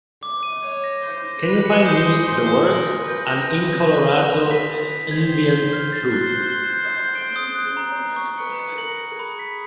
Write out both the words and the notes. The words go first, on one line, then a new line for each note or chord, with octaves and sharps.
Can you find me the work, An InColorado Nvenient Truth?
D6
D#7
C#5 D#7
A#6
C5 A#6
A#6
B4 A#6
C#7
C5 D#6
G#5
C5 C6
D#6
A#4 F#7
A#6
B4 G6
A#6
G6
G6
G6
G6
F7
B6
F7
B6
C5 G#6
G#6
G#6
F6
A6
F#6
F#6
F#6
G6
G6
D7
D#6
F#6
A#5
A#5
C#6
B4 C#7
C#7
A#4 F#7
F#7
G#4 B5
B6